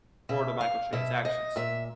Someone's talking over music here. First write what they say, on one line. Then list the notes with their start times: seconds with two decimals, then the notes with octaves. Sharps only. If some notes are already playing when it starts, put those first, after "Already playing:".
for the microtransactions.
0.29 B2 E5
0.61 F5
0.93 B2 E5
1.25 D#5
1.56 A#2 E5